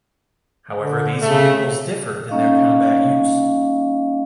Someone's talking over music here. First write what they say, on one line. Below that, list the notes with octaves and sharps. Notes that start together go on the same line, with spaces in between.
However, these vehicles differed in their combat use.
D3
C#3 A3
G3 A#3 C#4 D#4 D#5 F5